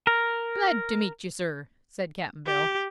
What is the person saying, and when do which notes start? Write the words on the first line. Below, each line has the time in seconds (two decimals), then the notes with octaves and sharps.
"Glad to meet you, sir," said Cap'n Bill.
0.07 A#4
2.46 G4